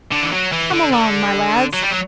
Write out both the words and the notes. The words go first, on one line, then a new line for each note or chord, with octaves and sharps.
Come along, my lads.
D3
E3
F#3
E3
D3
D3
F#3
G3
F#3